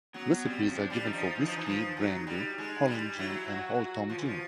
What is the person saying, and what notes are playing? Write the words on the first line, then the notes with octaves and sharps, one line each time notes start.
Recipes are given for Whiskey, Brandy, Holland gin, and Old Tom gin.
F#3 B3
G3 C4
F#3
F3
D4
G3
D#4
F3
E3
F3
E3
F3
F#3
G3
G#3
G3
F#3 E4
F#4
F#4
F3 F4
E3
F3